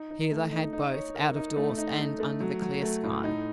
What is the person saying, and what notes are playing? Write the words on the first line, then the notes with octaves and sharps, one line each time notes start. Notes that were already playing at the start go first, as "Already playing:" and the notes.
Here they had both, out of doors and under the clear sky.
Already playing: D#4
D#4
A3
D#4
D#4
C#5
A#4
D#4
A3
D#4
A3
A3
F#3
F#3
A3
A2
D#4